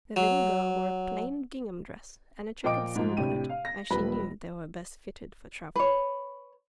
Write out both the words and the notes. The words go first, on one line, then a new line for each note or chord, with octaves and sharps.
The little girl wore a plain gingham dress and a checked sunbonnet, as she knew they were best fitted for travel.
F#3
A#2 F3 D#5 G5 D6 D7
G#2 F3
A2 C3 D4 G4 D#7
F5
A#6
E1 F3 G3 B4 B5
B4 C#5